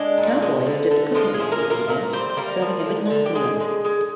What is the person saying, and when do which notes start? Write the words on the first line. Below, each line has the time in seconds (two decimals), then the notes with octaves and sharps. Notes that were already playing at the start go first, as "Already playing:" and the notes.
Cowboys did the cooking at these events, serving a midnight meal.
Already playing: G#3 D4
0.18 A#2
0.42 G#3
0.67 D3
0.91 D3
1.15 F3 G#3 F4
1.33 G#3 G#4
1.40 F3
1.51 A#3 A#4
1.64 F3
1.70 A#3 A#4
1.88 A#2 A#3 A#4
2.13 G3 C4 C5
2.29 C5
2.37 G3 A#3 A#4
2.62 F3
2.86 D3
3.10 D3
3.26 G4
3.35 D3 G#3 G#4
3.60 G#3
3.85 G#3